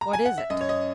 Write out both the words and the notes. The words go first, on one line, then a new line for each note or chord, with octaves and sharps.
"What is it?"
A#5
G#5
F#5
E5
F#2 D#5
C#5
D#5